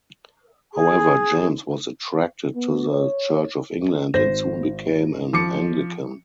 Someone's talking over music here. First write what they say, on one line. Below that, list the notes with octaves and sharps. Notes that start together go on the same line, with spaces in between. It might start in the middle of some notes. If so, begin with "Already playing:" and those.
However James was attracted to the Church of England and soon became an Anglican.
G#4
B3
C#5
G#1 C5 A#6
F3 D6 C#7